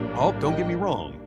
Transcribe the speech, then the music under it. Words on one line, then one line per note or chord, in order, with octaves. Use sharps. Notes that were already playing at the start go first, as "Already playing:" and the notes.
Oh, don't get me wrong,
Already playing: A#1 A2 G3 A#3 D4
D#5 G5